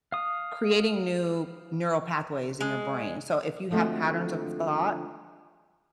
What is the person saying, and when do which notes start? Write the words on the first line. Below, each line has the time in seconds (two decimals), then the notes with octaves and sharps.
creating new neural pathways in your brain, so if you have patterns of thought,
0.12 F5 D#6
2.61 G#3
3.71 D3 F3 G#3 A3 C4 F#4